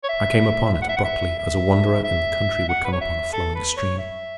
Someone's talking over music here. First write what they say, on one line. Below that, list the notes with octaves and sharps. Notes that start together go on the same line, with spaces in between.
I came upon it abruptly, as a wanderer in the country would come upon a flowing stream.
C#5
E5
E5
F#5
E5
F#5
E5
E5
E5
F#5
B4
C#5
E5
A4
B4
C#5
E5